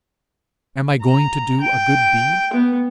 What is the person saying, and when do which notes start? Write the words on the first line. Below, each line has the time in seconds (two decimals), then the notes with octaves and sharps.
Am I going to do a good deed?
1.02 A#5
1.60 G5
2.53 B3